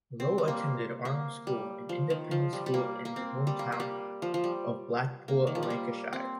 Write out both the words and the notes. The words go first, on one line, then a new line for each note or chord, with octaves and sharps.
Lowe attended Arnold School, an independent school in his home town of Blackpool, Lancashire.
C4
G3
A#3
A#3
G3
F3
D#3
F3
G3
G3
A#3
A#3
C4
G3
A#3
A#3
G3
F3
F3
G3
A#3
D#3
F3
G3
A#3
C4